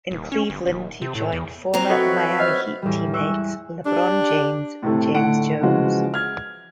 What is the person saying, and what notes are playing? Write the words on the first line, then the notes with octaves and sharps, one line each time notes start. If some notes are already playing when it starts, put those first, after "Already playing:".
In Cleveland, he joined former Miami Heat teammates LeBron James and James Jones.
D#1
C#4
G1
D#1
C3
A2
E2
F#3 C4 A#5
F#4 A4 B4 C#5 D#5 E5 G5
C5 D#5 F#5 F6
E2 A2 G3
G#3 E5 C#6 E6 F#6
D4 G4
A2 C3 A3
A2 D3 A3 D#4 F#5 D7
C#3 E3 F3 G#3 F#4
F6 G#6